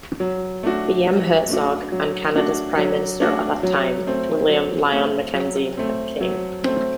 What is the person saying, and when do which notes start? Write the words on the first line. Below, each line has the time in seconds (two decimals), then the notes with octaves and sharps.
B. M. Hertzog and Canada's Prime Minister at that time, William Lyon Mackenzie King.
0.20 F#3
0.63 A3 D4 F#4
1.06 F#3
1.49 A3 D4 F#4
1.92 F#3
2.34 A3 D4 F#4
2.78 F#3
3.20 A3 D4 F#4
3.63 F#3
4.07 A3 C4
4.49 F#3
4.92 A3 C4
5.34 F#3
5.77 A3 C4
6.21 F#3
6.64 A3 C4